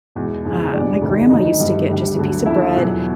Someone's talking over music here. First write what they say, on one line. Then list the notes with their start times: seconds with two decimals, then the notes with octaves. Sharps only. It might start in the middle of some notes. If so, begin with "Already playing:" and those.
Uh, my grandma used to get just a piece of bread
0.15 E2 B2 G#3
0.45 F2 C#3 E3 G#3
0.73 F#1 E2 B2 G3 D4 D5
1.01 D2 C3 D#3 G#3
1.30 F1 F2 D3 F#3 D#4 D#5
1.60 G1 G2 D#3 G3
1.88 D2 D3 G3
2.17 D2 D3 F#3
2.46 D#2 D3 F3 E4 E5
2.75 E2 B2 F#3